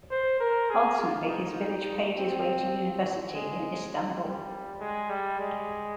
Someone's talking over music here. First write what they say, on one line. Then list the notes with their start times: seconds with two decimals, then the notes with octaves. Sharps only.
Ultimately, his village paid his way to university in Istanbul.
0.11 C5
0.40 A#4
0.70 G#4
0.99 F4
1.28 D#4
2.16 C4
3.34 G#3
4.22 G3
4.80 G#3
5.09 G3
5.40 G#3